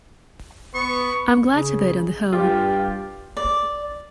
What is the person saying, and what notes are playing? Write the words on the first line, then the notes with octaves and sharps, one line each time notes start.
I am glad of it on the whole.
B3 C#6
C#3
G2 F4 G4
D5